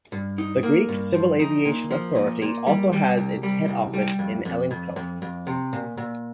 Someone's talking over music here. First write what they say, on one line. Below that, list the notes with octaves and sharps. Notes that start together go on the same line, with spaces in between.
The Greek Civil Aviation Authority also has its head office in Elliniko.
G2
D#4
A#3
G2
F3
D#4
A#2
F3
A#2
A#2
G3
G3
C2
G3
C2
G3
F2
F2
F2
F2
F2
C3
A#2
A#2